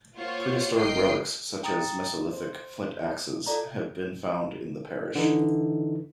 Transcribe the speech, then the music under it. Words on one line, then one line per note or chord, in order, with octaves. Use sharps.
Prehistoric relics, such as Mesolithic flint axes, have been found in the parish.
A#3 F4 C5 C#5 F#5
G1 A#4 D#5 G5 C7
G5 A#5 D#6 A6
C5
F4 A4 D5 A#5
D3 E3 D#4